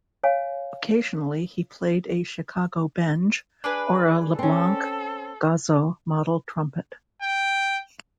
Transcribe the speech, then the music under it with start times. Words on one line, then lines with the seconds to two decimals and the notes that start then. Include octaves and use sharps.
Occasionally, he played a Chicago Benge or a LeBlanc Gozzo model trumpet.
0.23 C#5 F5 G#5
3.64 D4 G#4 B4
4.39 C4 C#4 A4
7.22 G5